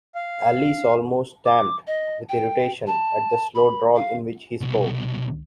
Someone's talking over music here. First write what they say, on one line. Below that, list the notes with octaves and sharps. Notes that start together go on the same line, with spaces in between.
Alice almost stamped with irritation at the slow drawl in which he spoke.
F5
D6
D#5
G5
A5
B5
F5
C2 B2